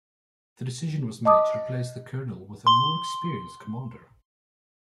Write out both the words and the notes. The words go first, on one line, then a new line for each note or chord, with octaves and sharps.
The decision was made to replace the colonel with a more experienced commander.
D#5 A5 D6 D#6
C6 G7